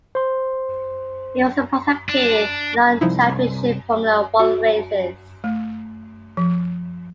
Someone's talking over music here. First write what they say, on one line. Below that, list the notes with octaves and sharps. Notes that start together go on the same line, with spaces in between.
He also participated in non-Championship Formula One races.
C5 C6
D4
C2 F3 D#4 E4
F#4
A3
F3